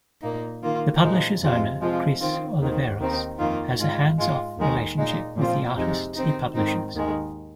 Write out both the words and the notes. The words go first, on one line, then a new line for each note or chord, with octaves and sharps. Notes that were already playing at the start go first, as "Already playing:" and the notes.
The publisher's owner, Chris Oliveros, has a hands-off relationship with the artists he publishes.
A#2 A#3 D#4
D#3 A#3 F4
A#2 F3 G#3 D#4
F2 C3 G#3 F4
C3 F3 G#3 F4
D#3 C4 F4
D#2 D#3 C4
D#2 D#3 C4 D#4
F2 D#3 A#3 F4
G#2 G#3 F4
G#2 G#3 F4
D#2 D#3 G#3
A#2 G#3 D#4
A#2 F3 C4 F4
F2 C3 G#3 D#4
D#3 C4 D#4
G#2 D#3 C4 D#4
D#2 D#3 G#3